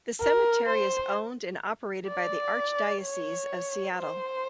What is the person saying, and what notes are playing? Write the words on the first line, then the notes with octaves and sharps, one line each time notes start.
The cemetery is owned and operated by the Archdiocese of Seattle.
A#4
C5
D5
C#5
C5